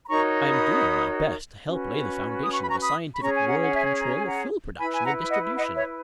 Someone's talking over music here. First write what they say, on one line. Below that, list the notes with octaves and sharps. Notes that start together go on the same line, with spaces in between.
I am doing my best to help lay the foundation of a scientific world control of fuel production and distribution.
B5
D#4 F#4 A#4 C#5 A#5 C#6
B5 D#6
C#4 F#4 B4
D#6
C#6
B5
A#5 C#6
B5 D#6
B5
C#4 G#4 C#5 A#5 C#6
G#5
F#5 A#5
F#5
E5 G#5
A#5
G#5
F#5 A#5
E4 B4 G#5 B5
G#5
F#5 A#5
D#5 F#5
D#5 F#5
C#5 E5